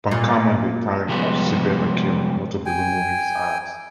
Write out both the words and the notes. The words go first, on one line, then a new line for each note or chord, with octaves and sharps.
Enraged, Pancamo and the Italians have Schibetta killed, notably removing his eye.
A#2
C3 F3 G3 G#3 B3
G5 G#5